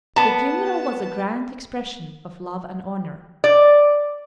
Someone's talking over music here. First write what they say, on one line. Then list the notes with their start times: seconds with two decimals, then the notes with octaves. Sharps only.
The funeral was a grand expression of love and honor.
0.16 B3 A5
3.44 D5